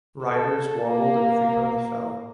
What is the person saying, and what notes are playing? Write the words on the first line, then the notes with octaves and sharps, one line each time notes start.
Riders wobbled and frequently fell.
A4
A#3